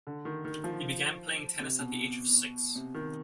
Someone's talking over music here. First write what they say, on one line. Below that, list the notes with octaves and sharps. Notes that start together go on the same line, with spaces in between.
He began playing tennis at the age of six.
D3
D#3
D#3
F3
C3
B2
C3
D#3